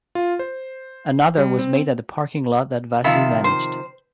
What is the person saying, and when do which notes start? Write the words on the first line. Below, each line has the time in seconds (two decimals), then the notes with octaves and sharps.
Another was made at the parking lot that Vasu managed.
0.15 F4
0.39 C5
1.38 G3
1.59 C4
3.04 C3 D#3 F3 F4 E5 B5
3.44 C5